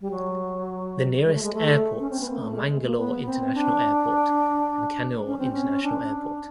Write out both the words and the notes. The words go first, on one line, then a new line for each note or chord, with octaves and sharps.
The nearest airports are Mangalore International Airport and Kannur International Airport.
G3
F#3
G#3
A3
G#3
A3
C#4
C4
B3
A#3
A3
G#3
A#3
B3
C4
D4
C#4
C4
C#4
D4